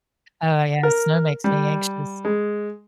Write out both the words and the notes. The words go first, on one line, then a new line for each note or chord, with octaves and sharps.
Oh, yeah, that makes me anxious.
A#4
G3
G#3